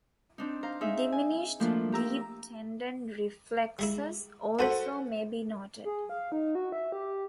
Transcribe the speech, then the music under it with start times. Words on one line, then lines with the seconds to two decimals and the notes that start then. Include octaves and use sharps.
Diminished deep tendon reflexes also may be noted.
0.38 C4 D4 D#4
0.63 C5 F5 A#5
0.81 D#4 G#4 E5
1.12 G#5
1.60 F3 A3 A#3 D4 E4 F4
1.92 G4 A#5 E6
3.79 G3 G#3 E4
4.59 D4 F#4 A4 C5 G#5 B5
5.85 G#4
6.09 F5
6.32 D#4
6.55 F#4
6.72 E5
6.92 G4